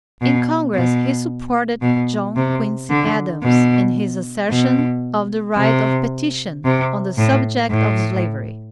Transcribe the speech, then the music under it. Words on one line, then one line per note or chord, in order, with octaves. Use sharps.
In congress he supported John Quincy Adams in his assertion of the right of petition on the subject of slavery.
B2
B2
B2
C3
D3
B2
B2
C3
C3
A2
A2